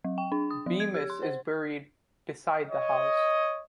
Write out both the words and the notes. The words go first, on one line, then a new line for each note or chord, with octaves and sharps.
Bemis is buried beside the house.
F#3
G5
D4
D#6
F3
G#6
G4
C6
C5
C#5 D#5